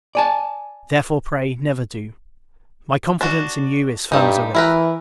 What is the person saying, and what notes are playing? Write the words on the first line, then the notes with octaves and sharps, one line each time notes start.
Therefore, pray, never do; My confidence in you is firm as a rock.
D5 G#5 A5
D4 F#4
G2 G3 D#4
E3 E4 A#4 B4